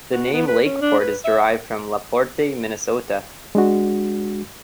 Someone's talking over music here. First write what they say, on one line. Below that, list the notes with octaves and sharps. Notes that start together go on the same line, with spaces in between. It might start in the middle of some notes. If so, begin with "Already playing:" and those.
The name Lakeport is derived from Laporte, Minnesota.
F#4
B3
B4
C#4
D4
B4
E5
G#3 D4 F#4